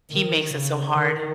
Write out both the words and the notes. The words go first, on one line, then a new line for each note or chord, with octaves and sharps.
He makes it so hard
D#3
C#3
D#3